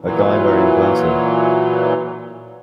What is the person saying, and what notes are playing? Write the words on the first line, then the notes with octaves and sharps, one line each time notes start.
A guy wearing glasses.
A#2 E3 F#3